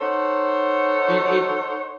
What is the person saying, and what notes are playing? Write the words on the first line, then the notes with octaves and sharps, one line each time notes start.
It it,
D#4 A4 C5 C#5 F#5